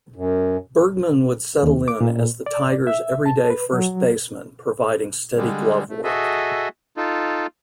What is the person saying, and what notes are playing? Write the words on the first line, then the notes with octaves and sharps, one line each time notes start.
Bergman would settle in as the Tigers' everyday first baseman providing steady glove-work.
F#2
D#2
D6
A#2
D5
E5
A5
B4
F#3
D3 G3 G#3
A3
F#4 G#4 A4 D#5 E5
D#4 F4 A4